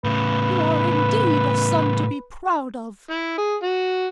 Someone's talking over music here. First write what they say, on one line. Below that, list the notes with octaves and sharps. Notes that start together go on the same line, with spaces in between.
"You are indeed a son to be proud of!"
A2 C#3 B4
E4
G#4
F#4